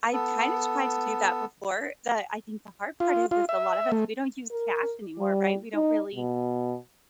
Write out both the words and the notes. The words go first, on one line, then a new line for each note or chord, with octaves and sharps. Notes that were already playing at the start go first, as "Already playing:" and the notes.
I kinda tried to do that before, but I think the hard part is is a lot of us, we don't use cash anymore, right? We don't really
B3 A4
F4
F4
E5
A3
A#4
G3
D#4
B2